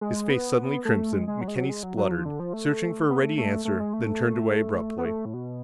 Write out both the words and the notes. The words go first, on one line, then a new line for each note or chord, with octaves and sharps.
His face suddenly crimson, McKenny spluttered, searching for a ready answer, then turned away abruptly.
G#3
B3
A3
G#3
G#3
F#3
G#3
F#3
G#3
F#3
F#3
F3
D3
F3
A3
B3
A3
A3
A3
G#3
A3
B3
A3
A2
B2